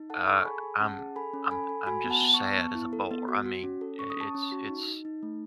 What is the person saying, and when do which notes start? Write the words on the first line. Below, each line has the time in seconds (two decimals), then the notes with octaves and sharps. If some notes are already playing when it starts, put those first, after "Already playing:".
uh, I'm I'm I'm just sad as a bowler, I mean, i it's it's
Already playing: D#4
0.10 A4 F#5 A5
0.27 A4 A5 C#6
0.45 G#4 G#5 B5
0.63 G#4
0.80 C#4 F#5 A5
0.99 G#4
1.16 A4 G#5 B5
1.34 C#4
1.51 A4 G#5 B5
1.69 A4
1.87 F#4 G#5 B5
2.04 B3
2.10 F#5 A5
2.22 B3
2.34 A5 C#6
2.39 B3
2.58 B3
2.75 E4
2.93 A4
3.11 B3
3.28 F#4
3.46 F#4
3.64 C#4
3.81 A4
3.99 C#4 C#6
4.10 D#6
4.17 C#4 A5 C#6
4.34 C#4
4.52 F#4
4.69 D#4
4.87 D#4
5.05 D#4
5.23 A3